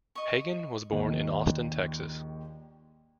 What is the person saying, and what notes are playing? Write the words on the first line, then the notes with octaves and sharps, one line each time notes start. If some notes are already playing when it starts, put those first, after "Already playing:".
Hagan was born in Austin, Texas.
D#5 C#6
A#1 D#2 D#3